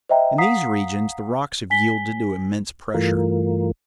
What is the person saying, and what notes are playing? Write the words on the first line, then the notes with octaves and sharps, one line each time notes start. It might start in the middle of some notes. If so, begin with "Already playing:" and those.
In these regions the rocks have yielded to immense pressure.
C5 D#5 E5 G5 A#5
F5 F#5 A#5 D#6 B6 C7
G#5 B6 G7
G2 E3 A3 F4 A#4